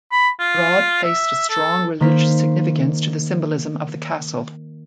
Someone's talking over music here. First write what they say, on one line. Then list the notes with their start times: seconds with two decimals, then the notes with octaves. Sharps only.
Brod placed a strong religious significance to the symbolism of the castle.
0.12 B5
0.39 F4
1.04 E5
1.50 A4
2.00 D#3 A#3 C5 B6